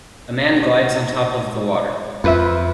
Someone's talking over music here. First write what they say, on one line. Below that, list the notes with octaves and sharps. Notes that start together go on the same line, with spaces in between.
A man glides on top of the water.
F2 F4 B4 E5